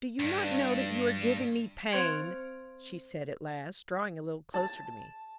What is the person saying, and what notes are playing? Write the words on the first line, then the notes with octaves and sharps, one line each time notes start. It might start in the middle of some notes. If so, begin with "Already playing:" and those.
"Do you not know that you are giving me pain?" she said at last, drawing a little closer to me.
G2 D5
C4 C5 C6 G#6 D7
A5